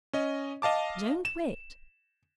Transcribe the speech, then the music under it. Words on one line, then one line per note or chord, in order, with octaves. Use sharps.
Don't wait.
C#4 D#5
D#5 F5 A5 D6
E7